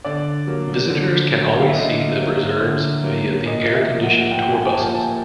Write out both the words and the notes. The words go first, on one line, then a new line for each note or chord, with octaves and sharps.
Visitors can always see the reserves via the air-conditioned tour buses.
D3 D5
F#3 A#3
D3
F#3 A#3
F5
E5
D3 D#5
F#3 A#3
D3
F#3 A#3
A#2 D#5
E5
F3 A#3
F#5
F#5
A#2 G5
G5
G#5
F3 A#3 A5
A5